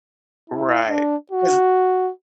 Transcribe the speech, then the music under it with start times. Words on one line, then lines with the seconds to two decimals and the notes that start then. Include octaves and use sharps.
Right. 'Cause
0.50 E4
0.89 D4
1.31 F#4